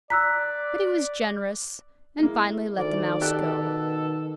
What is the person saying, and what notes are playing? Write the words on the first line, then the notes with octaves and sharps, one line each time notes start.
But he was generous and finally let the Mouse go.
D5 A#5 E6 F#6 B6
G#3 A#3 E4
D2 D#3 D5
B2 G4 A4 D5 F#6